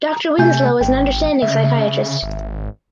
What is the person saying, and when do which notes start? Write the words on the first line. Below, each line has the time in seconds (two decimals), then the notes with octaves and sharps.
Doctor Winslow is an understanding psychiatrist.
0.38 C3 A3 G#5 G6
0.81 G#1 G5
1.42 C#3 E5
2.23 G#1